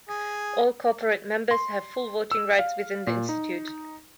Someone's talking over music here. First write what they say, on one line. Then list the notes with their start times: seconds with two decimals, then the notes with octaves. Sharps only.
All corporate members have full voting rights within the Institute.
0.09 G#4
1.51 C6
2.31 E6
2.59 F5
3.07 A#2
3.29 D#4